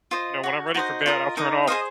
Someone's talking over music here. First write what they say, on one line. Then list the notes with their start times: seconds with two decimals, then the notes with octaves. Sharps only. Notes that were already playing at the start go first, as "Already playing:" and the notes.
you know, when I'm ready for bed, I'll turn off
0.11 F4 C5 D#5
0.44 F#4 C#5
0.74 D#4 F#4 C5 D#5
1.06 F4 A#4 D#5
1.37 D#4 A#4 D#5
1.67 G#4 C5 D#5 F5